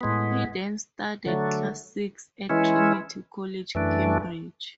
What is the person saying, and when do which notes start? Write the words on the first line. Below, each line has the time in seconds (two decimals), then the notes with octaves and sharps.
He then studied Classics at Trinity College, Cambridge.
0.01 A2 G#3 B3
1.26 D3 F#3 A3
2.49 E3 G#3 C#4 E4
3.75 F#2 E3 A3 D4